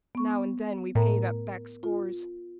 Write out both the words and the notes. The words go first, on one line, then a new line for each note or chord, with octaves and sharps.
Now and then we paid up back scores.
B3 C#6
A2 A#4 A#5
F4